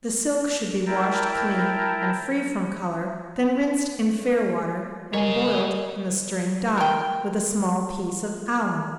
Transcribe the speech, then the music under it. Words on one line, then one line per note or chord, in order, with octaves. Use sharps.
The silk should be washed clean, and free from color, then rinsed in fair water, and boiled in the strained dye, with a small piece of alum.
E4 A#4 G5 A5 A#5
G3 G#4 A#4 C#5 D#5 G#5 C7
A#4 G5